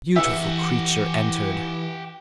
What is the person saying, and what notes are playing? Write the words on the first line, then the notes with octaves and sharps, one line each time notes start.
A beautiful creature entered.
E3 G4 E5 F#5